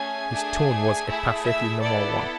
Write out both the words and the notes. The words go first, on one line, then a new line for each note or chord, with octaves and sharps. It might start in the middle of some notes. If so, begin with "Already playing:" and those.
His tone was a perfectly normal one.
Already playing: A3 C#4 G#4 G#5
A3 D4 G#4
A3 E4 G#4 E5
E5
B3 E4 A4 D5